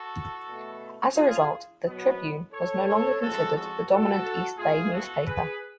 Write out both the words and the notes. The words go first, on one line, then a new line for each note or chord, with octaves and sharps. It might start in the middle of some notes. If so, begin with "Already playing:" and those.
As a result, the "Tribune" was no longer considered the dominant East Bay newspaper.
Already playing: F#4 A4
B2 A3
F4 G#4
B2 F#3 B3
A4 C#5
A4 C#5
F2 C#3 F3 G#3 F#4 A4
F#4 A4
F#4 A4
B2 A3 F4 G#4
F#4 A4
G#4 B4